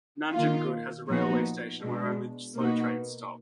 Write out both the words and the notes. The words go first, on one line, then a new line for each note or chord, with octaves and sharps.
Nanjangud has a railway station where only slow trains stop.
D#3 A#3 F4
A#2 F3 B3 D#4 F#4
B2 G#3 D4
B2 A#3 D#4 F#4 B4